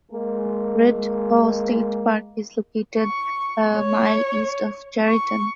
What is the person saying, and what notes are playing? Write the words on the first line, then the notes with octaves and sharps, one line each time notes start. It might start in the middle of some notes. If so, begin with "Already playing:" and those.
Red Haw State Park is located a mile east of Chariton.
G#3 A#3
C#6
C#5
C#6